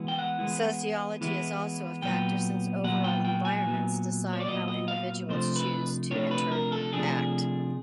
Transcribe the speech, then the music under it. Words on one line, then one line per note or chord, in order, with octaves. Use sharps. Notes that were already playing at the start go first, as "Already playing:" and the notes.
Sociology is also a factor since overall environments decide how individuals choose to interact.
Already playing: E3 G#3 B3 E4
G5
F#5
E3 G#3 B3 E4
E3 G#3 B3 E4
A#2 F#3 B3 G5
A#2 F#3 B3 F#5
G5
G5
G#5
A#2 F#3 B3
C#5
D5
A#2 F#3 B3 D#5
D#5
F5
C3 F3 A3 D4 C5
B4
C3 F3 A3 D4 C#5
B4
A#4
A4
C3 F3 A3 D4 G#4